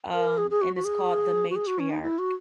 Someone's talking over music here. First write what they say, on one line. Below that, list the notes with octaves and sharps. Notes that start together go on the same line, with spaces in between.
um, and it's called The Matriarch,
A#4
G#4
G#4
F#4
F#4
G#4
F#4
G#4
F#4
C#4
D#4
E4
F#4